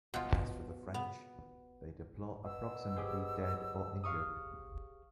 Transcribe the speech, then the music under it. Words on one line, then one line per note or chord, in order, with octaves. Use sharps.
As for the French, they deplore approximately dead or injured.
B2 F4
B3
B2 E6
G4 G#4 C5
F5 C#6 D#6